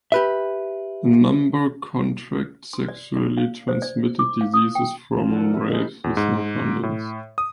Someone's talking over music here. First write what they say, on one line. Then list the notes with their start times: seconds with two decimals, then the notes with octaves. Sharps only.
A number contract sexually transmitted diseases from rapes with no condoms.
0.12 G4 B4 E5
2.73 C6
2.89 D5
3.16 D5
3.37 F5
3.68 C5
3.82 D5
4.19 D6
4.41 F5
4.54 D#6
4.75 G5
5.16 D#3 F4
5.28 F3 D4 A4 F#5
5.40 D4 A#4
5.54 E5
5.69 D#4 E4 G#4 A4 C5 D#5
6.04 E2
6.17 G#2
6.83 A2
7.38 D#6